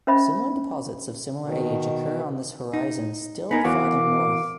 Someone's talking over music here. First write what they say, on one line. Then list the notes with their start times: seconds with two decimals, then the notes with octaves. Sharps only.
Similar deposits of similar age occur on this horizon still farther north.
0.07 C#4 C5 D#5 E5 B5
1.44 B2 D#3
2.73 D#4
3.51 B3 D#4 A#4 G#5 A#5 B5
3.64 F#2 E3 B3 F#4 F5 D6